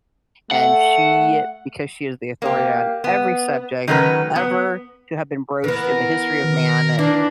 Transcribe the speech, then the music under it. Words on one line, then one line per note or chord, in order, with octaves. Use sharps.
and she- because she is the authority on every subject ever to have been broached in the history of man, eh,
A3 F#5
A#3 G4
B3
D#3 F#3 A3 C#4 A#4 B4
B3
E3 B3 A#4
D#3
E3 A#3 D4